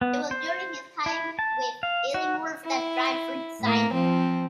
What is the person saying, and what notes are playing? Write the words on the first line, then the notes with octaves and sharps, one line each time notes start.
It was during his time with Illingworth that Bradford signed him.
B3
C5
E4
A5
F5
F#4
E4
A2 A#3
F3 C4